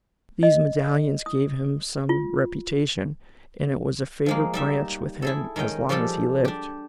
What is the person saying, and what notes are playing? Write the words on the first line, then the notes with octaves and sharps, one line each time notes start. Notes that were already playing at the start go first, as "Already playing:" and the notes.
These medallions gave him some reputation, and it was a favorite branch with him as long as he lived.
D#5
D#6
F4
F3 G#3 A#3
G3 D#4 E5
E4 G#4 A4
D#3 G#3 C#4 D#5 G5
F3 G3 G#3 G4 A4
D4 G4